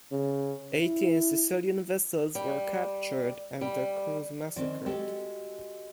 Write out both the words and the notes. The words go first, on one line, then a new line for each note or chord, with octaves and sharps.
Eighteen Sicilian vessels were captured and their crews massacred.
C#3
E4
G3
G3
D#3 C4 C#4 D5
G#3 F#4 G4 A4